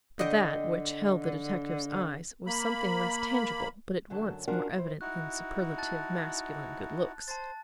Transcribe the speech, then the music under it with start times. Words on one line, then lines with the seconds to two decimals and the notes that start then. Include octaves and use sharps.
But that which held the detective's eyes was something less tangible but at once more evident than superlative masculine good looks.
0.19 D3 D#5 G5
2.47 A#3 B5
4.10 F#2 D3 F#3 A5
4.48 C#4 D4 F4 F#4 A#4
4.74 E4 C5
5.01 D#4 E4 F#4 F#6
5.78 A5 F#6 A6
7.28 C5 A5 A6